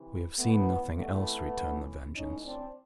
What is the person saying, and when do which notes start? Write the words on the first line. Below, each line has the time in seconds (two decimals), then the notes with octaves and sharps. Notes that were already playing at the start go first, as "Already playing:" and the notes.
"We have seen nothing else," returned The Vengeance.
Already playing: C3 E3
0.39 A2 E3 A3 B3
0.97 C3 E3 A3 B3
1.55 A2 E3
2.14 A2 E3 C#4 D#4
2.44 C4 D4